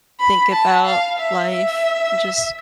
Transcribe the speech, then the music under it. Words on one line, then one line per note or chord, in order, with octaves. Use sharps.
think about life and just
B5
A5
F5
E5
E5